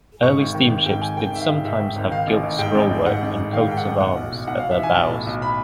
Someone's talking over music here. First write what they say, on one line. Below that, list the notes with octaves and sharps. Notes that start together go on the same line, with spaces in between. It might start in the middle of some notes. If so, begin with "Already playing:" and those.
Early steamships did sometimes have gilt scroll-work and coats-of-arms at their bows.
G#2 C#6
G#1
D#3
G#1
G#2 G5
D#3 G#5
D#3 G5
G#1 E5
F5
G#2
G#2 E5
D#3
G#1
D#3 F5
A1
A1
G#2 G5
A1
A1
G#2 F#5
A1
A1
D#3 F5
G#2 G5
F#5
A1
B1 F#5
B1
B1
B1 F#5
F5
B1
E5
E3 G#5
B1 A5
A2
B1
B5